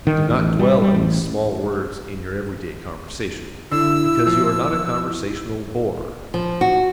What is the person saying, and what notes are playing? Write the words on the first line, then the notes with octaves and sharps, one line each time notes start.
You do not dwell on these small words in your everyday conversation, because you are not a conversational bore.
D#3
A1
G3
G3
A1
D3 E4 E6
F3
F3
F#4